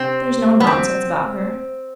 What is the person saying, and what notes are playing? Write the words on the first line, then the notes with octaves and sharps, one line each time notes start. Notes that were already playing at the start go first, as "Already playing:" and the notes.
"There is no nonsense about her."
Already playing: C3 C4
B3
C4